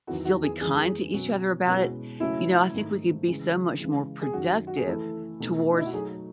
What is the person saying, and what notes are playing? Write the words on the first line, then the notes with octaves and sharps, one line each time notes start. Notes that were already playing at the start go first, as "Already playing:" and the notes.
still be kind to each other about it, you know, I think we could be so much more productive towards,
E2 D#3 F#3 B3 E4 F#4
F#4
G#4
F#2 E3 G#3 G#4
B2 F#3 C#4
B2 G#3 C#4 E4 F#4 B4
C#3 F#3 A3 C#4 E4 F#4
G#2 D#3 A3 D#4
C#3 E3 G#3
C#3 E3 G#3
G#4
F#2 D#3 F#3 F#4
F#4
G#4
E3 A3 E4 A4
B2 A3 D#4 A4
D#4
E4
F#4
F#3 A3 D#4 G#4 A4